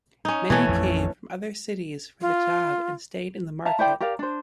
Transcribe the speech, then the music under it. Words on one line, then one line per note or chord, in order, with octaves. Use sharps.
Many came from other cities for the job and stayed in the market.
C#4 D#4
B2 E3 A3 B3 C#4
A1 F2
F4
E5 F5 A5 A#5
E4 C5 D5 G5
G4 A#4 D5 F5
D4 C5